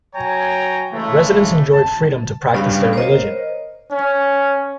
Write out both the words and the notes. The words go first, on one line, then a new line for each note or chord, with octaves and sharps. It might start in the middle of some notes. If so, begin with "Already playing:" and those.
Residents enjoyed freedom to practice their religion.
F#3 C#5 G5 G#5 A#5
C#3 E3 G#3 A3
A5
G2 C#3 G3 D5 F5
A#4 C5 C#5 D#5
C#4